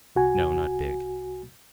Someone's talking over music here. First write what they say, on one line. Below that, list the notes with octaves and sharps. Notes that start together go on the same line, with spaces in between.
"No, not big."
C2 F#4 G#5